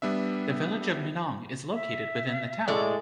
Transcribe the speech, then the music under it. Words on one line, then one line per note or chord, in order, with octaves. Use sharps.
The Village of Minong is located within the town.
G3 B3 D4 E5
E5
A2 G#3 A4 D5